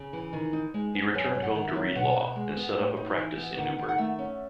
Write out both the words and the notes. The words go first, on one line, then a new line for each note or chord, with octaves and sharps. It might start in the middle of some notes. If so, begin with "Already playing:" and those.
He returned home to read law, and set up a practice in New Bern.
Already playing: C#3
E3
D#3
D#4
G#3
B3
F#2 G#5
F#2
F#5
D#3
E5
F#3
B2 F#5
B2
G#3
B3
A2
D#4
E3
B3
D#3 F#5
D#3
F#5
A3 E5
C#4